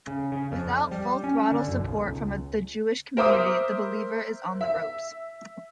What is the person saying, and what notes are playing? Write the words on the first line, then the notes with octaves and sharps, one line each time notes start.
Without full-throttle support from the Jewish community, The Believer is on the ropes.
C#3
C#3
F2
G3
C#4
D3
F#2
B1
C#2
A#4 C5 E5 D6 D#6
E5